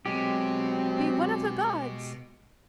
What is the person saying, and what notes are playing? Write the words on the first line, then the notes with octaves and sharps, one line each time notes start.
Be one of the gods.
B2 F#3 G#3 C4 G4